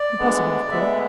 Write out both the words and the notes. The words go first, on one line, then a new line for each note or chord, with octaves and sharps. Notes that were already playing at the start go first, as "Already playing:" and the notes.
Impossible--of course.
Already playing: D5
D2 D3 G#3 B3
D2 D3 G#3 B3 E5